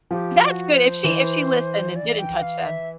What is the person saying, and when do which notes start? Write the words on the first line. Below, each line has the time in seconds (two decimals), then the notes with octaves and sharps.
That's good, if she if she listened and didn't touch them.
0.11 F3 G4
0.42 F#4
0.73 C5
1.04 E3
1.96 D5
2.19 G5
2.42 F5
2.65 E5